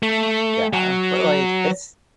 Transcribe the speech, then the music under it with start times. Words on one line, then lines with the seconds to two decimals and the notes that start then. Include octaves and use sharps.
Yeah, but, like, it's
0.03 A3
0.73 F#3